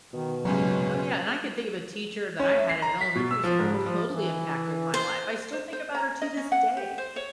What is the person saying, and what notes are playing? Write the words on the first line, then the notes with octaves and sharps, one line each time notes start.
Oh, yeah, and I could think of a teacher that I had in elementary school totally impacted my life. I still think about her to this day.
B2 D#3
F#1 C2 G#2 F#3 C#4
C#4
E5
C7
A#5
B6
B2
E6
F3
G#2
G3
F3
E3
C5
C5
C5
A#5
D#5
C#4
F#5
G4
C5
C#5